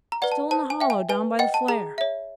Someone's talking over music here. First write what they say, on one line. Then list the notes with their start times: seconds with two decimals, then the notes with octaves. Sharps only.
'Still in the hollow down by the flare.'
0.12 A#5
0.22 B4 D5 F#5
0.32 A5
0.51 C5 A5
0.70 G#5
0.80 E5 G5
0.90 G#5
1.09 B4 G#5
1.39 D#5 F#5 G5
1.54 A5
1.68 G#4 A#5
1.98 C#5 E5